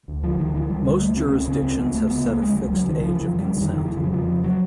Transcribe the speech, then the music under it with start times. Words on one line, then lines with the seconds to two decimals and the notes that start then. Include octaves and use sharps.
Most jurisdictions have set a fixed age of consent.
0.08 D2
0.23 D3 F3
0.39 D2 D#3
0.54 D3 E3
0.70 D2 G3
0.85 D3 G3
1.01 D2 A3
1.16 C#3 C4
1.28 C#2 C#4
1.40 C4
1.48 C#3 C#4
1.63 C#2 C4
1.78 C#3 B3
1.94 C#2 A3
2.10 C#3 B3
2.25 C#2 A#3
2.41 C#3 G#3
2.56 C#2 G3
2.67 G3
2.72 C#3 F#3
2.87 C#2 D#3
3.03 C#3 F3
3.15 F2 E3
3.27 F3
3.34 C#3 G3
3.50 F2
3.57 D3
3.62 D#3
3.65 C#3
3.73 D#3
3.81 F2 E3
3.96 C#3 F3
4.04 F#3
4.12 F2 F3
4.28 C#3
4.44 F#3